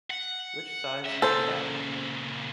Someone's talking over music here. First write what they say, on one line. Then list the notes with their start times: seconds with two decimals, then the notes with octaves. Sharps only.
Which size is that?
0.11 F#5
1.06 C#4 E5
1.22 A#2 C#3 A4 C5